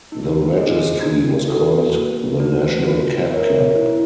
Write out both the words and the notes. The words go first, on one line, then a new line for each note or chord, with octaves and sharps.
The registry was called the National Cat Club.
D#4
G#4 C5 D#5
D4
F#4 A4
A#3
D#4 F#4 B4
F4
A#4 C#5 E5
E4